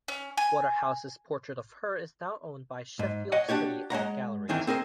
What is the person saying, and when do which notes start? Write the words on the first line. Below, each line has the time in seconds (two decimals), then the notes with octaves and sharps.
Waterhouse's portrait of her is now owned by Sheffield City Art Galleries.
0.08 C#4
0.37 G#5
2.99 G#2
3.32 C#5 D#5 F#5
3.49 D4 F#4 G4 C#5
3.90 G#3 C#5 F#5 A#5
4.49 E2 D#3 E3 C4 G#4 A#5
4.67 C4 G#4 A#4 C5